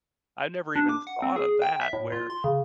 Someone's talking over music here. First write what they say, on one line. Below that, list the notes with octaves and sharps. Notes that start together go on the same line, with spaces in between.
I never even thought of that where
D4
D6
F#5
C4
G#4
G5
E5
A2
F4
C6
C#3